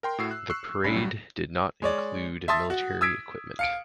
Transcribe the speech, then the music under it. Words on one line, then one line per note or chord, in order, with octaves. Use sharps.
The parade did not include military equipment.
A#4 G5 C6
A2 F#4 E6 C7
F#6
C#6 E6 F#6 C7
C2 C#4 D4 B5
G2 F#3 G3
G#3 C#5 D5
E5 A5 C6 D#6 A6
F#4
D#6 E6 G#6 B6 D7
F5 C#7 D7